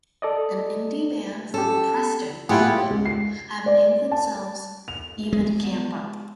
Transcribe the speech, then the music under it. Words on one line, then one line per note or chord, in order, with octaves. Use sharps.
An Indie band from Preston, England have named themselves "Ivan Campo".
A4 D5 D#5
C#4 G4 A4
A2 E4 F4 G4 G#4 F#5
C#2
C7
D5
A5
F7
G#3